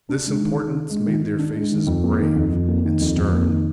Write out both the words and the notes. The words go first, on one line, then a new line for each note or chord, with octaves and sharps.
This importance made their faces grave and stern.
D4
G#3
D#3
D#3
D4
G#3
D#3
D#3
D4
G#3
D#3
F2
A#3
D#3
F2
F2
A#3
D#3
F2
F2
A#3
D#3